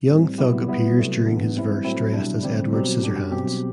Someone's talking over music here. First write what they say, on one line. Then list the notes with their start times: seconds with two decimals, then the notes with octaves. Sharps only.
Young Thug appears during his verse dressed as "Edward Scissorhands".
0.08 A2 G3 C4
0.38 C3 F#3 B3 E4 G4
0.67 G3 B3 E4
0.97 C3 F#3 A3
1.26 E3 B3 D4
1.55 G3 C4 E4
1.85 A2 F#3 A3 C4 E4
2.13 B2 G3 D4
2.43 D3 G3 C4 G4
2.72 B2 F#3 C4 G4
3.02 G3 D4 G4
3.31 B2 F#3 C4 G4